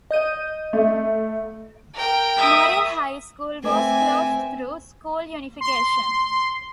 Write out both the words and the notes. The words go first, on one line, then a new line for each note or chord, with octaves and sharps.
Morrill High School was closed through school unification.
D#5 G6 D#7
A3
A#4 G5
E5 D#6
A3 C4 B4 E5 G#5 D6
C6